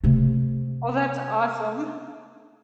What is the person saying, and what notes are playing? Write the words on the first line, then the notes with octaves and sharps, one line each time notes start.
Oh, that's awesome.
C3 A3